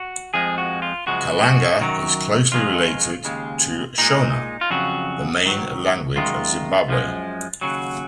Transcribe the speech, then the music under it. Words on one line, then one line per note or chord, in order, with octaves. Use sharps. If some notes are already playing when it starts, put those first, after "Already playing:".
Kalanga is closely related to Shona, the main language of Zimbabwe.
Already playing: F#4
F2 F3 G#3 G#4
F#4
F4
F#2 C#3 F3 G#3 F#4
F#4
F#2 D#3 F#3
F2 D#3 G#3 F4
D#2 C#3 G#3
A#2 G#3 D#4
F4
F2 C#3 F#3 F#4
G#2 D#3 F#3
F#2 D#3 G#3 F4
F#2 F3 G#3
D#2 C#3 F#3 F#4